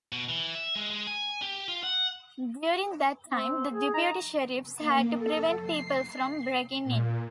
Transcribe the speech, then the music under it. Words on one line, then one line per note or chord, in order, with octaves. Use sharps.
During that time, the deputy sheriffs had to prevent people from breaking in.
B2
E3
E5
G#3
G#3
G#5
G4
F4
F#5
C4
G#4
D#4 A#5
A#3
A4
C7
A#2